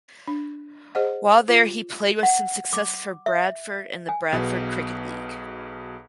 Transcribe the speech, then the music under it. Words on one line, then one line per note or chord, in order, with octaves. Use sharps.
While there he played with some success for Bradford in the Bradford Cricket League.
D4
G#4 C5 D#5 F#5
F4
F#5
D6
E5
G#5
B1 B2 G#4 B4